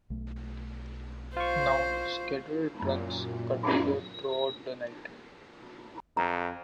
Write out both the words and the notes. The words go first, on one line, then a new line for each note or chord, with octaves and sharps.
Now, scheduled runs continue throughout the night.
B1 A3
F4 C5 C#6
F#2 A#2
F2 A#5